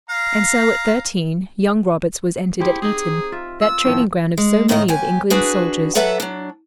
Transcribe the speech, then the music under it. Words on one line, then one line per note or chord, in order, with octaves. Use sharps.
And so at thirteen, young Roberts was entered at Eton, that training ground of so many of England's soldiers.
F5 A#5
E4 G4 G#4 C5
C4 D#4 G#4
F4 E5
F4 E6
A2 D#3 F3
G#3
D2 A2 D#3 D#4 E4 D#5
D#2 G4 G#5
D4 F#4 G#4 B4
F#3 A4 B4 E5 F#5
F#3 D4